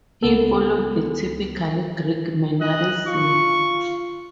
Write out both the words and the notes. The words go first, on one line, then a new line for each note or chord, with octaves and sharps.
He followed the typical Greek mannerisms.
C#2 B3 A4
D#5 F#6
F4 C#6